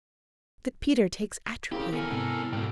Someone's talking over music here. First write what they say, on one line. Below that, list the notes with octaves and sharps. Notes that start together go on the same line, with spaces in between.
'That Peter takes atropine.'
C#3 A#3 C4 E4 G4 A#4
C2 B3 E4 A4 A#4 G#5
G#2 C3
B1 F2 G#2 B2 G5